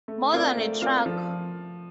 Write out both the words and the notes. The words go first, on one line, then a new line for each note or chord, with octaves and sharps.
More Than A Truck!
A3
C4 F4 A#4 D5
A3
C4 F4 A#4 D5
F3